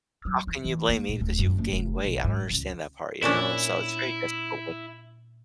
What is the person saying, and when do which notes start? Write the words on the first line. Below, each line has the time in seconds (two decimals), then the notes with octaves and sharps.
How can you blame me because you've gained weight? I don't understand that part, you know? So it's very difficult when
0.25 F#3
0.47 E3
0.64 E3
0.89 A#3
1.09 A#2
1.21 D1
1.39 F#2
1.58 F#1
1.72 F1
2.05 B1
2.24 G#2
2.50 C#2
3.23 A#2 C#4 D4 E4